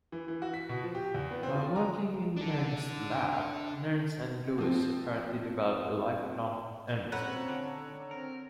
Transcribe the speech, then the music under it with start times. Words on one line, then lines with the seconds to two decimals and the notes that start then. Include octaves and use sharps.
While working in Nernst's lab, Nernst and Lewis apparently developed a lifelong enmity.
0.12 E3
0.28 E3
0.42 F#4
0.54 B6
0.69 B2
0.83 F3
0.95 G4
1.14 E2
1.31 B3
1.43 C4
1.55 F4
1.76 A#5
2.37 D4 A4
4.58 F3 C4
7.12 C4 C#4 F4 A4 B4 C#5 F#5 A#5
7.49 D3
8.11 C4 A#4